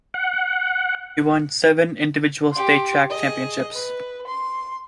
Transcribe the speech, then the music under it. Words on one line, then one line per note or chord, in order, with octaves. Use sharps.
He won seven individual state track championships.
F#5
G4 C6
G#4 D#5
B4
C6